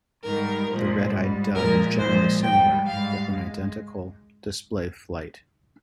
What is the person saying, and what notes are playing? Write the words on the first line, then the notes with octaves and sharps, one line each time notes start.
The red-eyed dove is generally similar with an identical display flight.
G#2 D#3 G3 A#4
A#2 F3 G#3
G#2 G3
A#2 F3 G#3 A#4
A#2 F3 G#3 C5
G#2 G3 G5
G#2 G3 F5
G#3